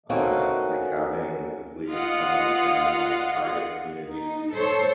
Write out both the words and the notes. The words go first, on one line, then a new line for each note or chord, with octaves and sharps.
uh, like, having the police come and, like, target communities
A3 A#3 C4 C#4 D#4 F#4
F4 D#5 F5 F#5
D#4
A4 C5 C#5